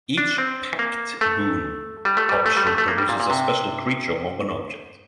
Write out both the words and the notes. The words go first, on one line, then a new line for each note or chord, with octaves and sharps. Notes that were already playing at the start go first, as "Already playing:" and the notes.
Each Pact Boon option produces a special creature or an object.
D4
C4
A#3
A3
G3
A3
G3
A3
G3
A3
A3
A#3
G3
A#2
A#2
C3